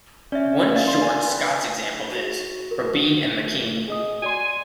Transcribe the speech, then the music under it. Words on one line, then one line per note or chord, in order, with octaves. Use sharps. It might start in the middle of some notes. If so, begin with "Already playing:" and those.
One short Scots example is "Robene and Makyne".
C#4 D5 E5
D5 F5 A6
C6
G#5
B4 G5
F#4
A#4
G#4 D#5 D#6
F#4 D5 G#5 C6